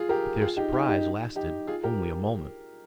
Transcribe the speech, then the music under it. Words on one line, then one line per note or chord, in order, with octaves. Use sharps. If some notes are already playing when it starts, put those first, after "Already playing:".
But their surprise lasted only a moment.
Already playing: F4 G#4
G4 A#4
F4 G#4
D#4 G4
D#4 G4
D#4 G4
D#4 G4
F4 G#4
G4 A#4